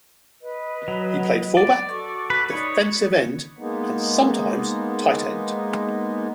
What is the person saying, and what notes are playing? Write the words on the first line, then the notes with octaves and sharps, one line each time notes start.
He played fullback, defensive end and sometimes tight end.
B4 D#5
F#3
D5
F#4 A4 C#6
B4
D#4 C#5 D5
G#3 A#3 B3 D#4